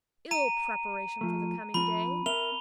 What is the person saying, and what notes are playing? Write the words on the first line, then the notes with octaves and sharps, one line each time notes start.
Ill preparation for the coming day!
A#5 D#7
F3 A3
F3 C4 B5
C4 A#4 E5 F7 G7